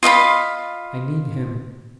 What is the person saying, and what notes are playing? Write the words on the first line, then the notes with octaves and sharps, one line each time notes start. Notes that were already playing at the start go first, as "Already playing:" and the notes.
I mean him.
F4 D#5 F5 B5